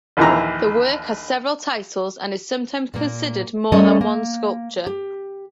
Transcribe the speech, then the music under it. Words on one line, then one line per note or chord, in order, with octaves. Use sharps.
The work has several titles and is sometimes considered more than one sculpture.
A#1 D#2 E3 A#5
A#2 A#3
G3 A3 C#4 A4 A#4 D#5
A#3
G4